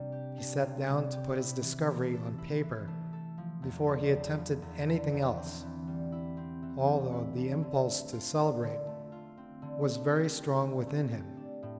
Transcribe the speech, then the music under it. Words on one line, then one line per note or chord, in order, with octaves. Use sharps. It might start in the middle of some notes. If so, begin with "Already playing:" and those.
He sat down to put his discovery on paper before he attempted anything else, although the impulse to celebrate was very strong within him.
Already playing: C3 G3 D4
G4
D4
C3
G3
G4
E4
E3
A3
A4
E4
E3
A3
A4
F3
E2
D3
E2
F3
E2
D3
E2
C4
E3
G3
E4
C4
E3
G3
E4
D4
D3
A3
F4
D4
D3
A3
F4
C4
D3
A3
G4
C4
D3
A3
G4
D4
A2